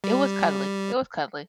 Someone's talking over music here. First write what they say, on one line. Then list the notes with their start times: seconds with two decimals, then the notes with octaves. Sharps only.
It was cuddly, it was cuddly.
0.04 G3